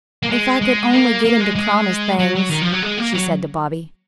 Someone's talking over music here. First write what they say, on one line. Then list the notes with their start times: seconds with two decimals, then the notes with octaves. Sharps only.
"If I could only get him to promise things!" she said to Bobby.
0.23 A#3
0.30 G#3
0.62 G#3
0.93 A#3
1.25 A#3
1.41 G#3
1.56 G#3
2.19 F#3
2.35 F#3
2.50 D#3
2.61 F3
2.71 F#3
2.82 G#3
2.98 A#3
3.14 F#3